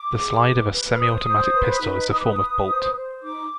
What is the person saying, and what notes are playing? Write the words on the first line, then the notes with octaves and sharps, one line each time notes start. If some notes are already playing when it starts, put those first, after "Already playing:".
The slide of a semi-automatic pistol is a form of bolt.
Already playing: D6
G#4
B4
B4
F6
C5 D#6
C5
B4
D#4
B4 D#6
D6
D#6
B4
C5
C5
D#4 D6